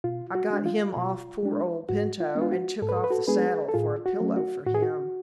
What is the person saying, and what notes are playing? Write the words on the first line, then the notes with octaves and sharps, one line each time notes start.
I got him off poor old Pinto, and took off the saddle for a pillow for him.
B2 F4
F#4
G#3 D4
F4
B2
G#3 D4
G#2 F#4
F4
G#3 B3 D4
F4
F#4
G#2 A4
B4
A4
B4
F#4 A4
G#3 B3 D4 G#4 B4
A4
A2 F4 G#4
F#4
F#3 A3 C#4
F#4
A2 F#4
G#4
F#4